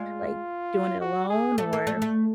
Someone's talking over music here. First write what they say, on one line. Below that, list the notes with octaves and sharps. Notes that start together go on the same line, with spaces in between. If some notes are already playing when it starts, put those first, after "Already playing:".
like, doing it alone? Or
Already playing: G#3 F4
F#4
G#4
A3 A4
A#3
A3
A3